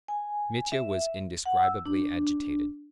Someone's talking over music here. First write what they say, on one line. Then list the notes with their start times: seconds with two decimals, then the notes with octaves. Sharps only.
Mitya was indescribably agitated.
0.08 G#5
0.72 E5
1.46 F#5
1.63 E6
1.86 D4